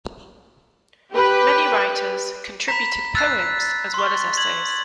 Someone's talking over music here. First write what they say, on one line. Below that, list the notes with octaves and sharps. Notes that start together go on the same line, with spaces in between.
Many writers contributed poems as well as essays.
G4 B4
A#5 B5 B6
E6 F#6 A6 C7
C6 C#6
G#6 F#7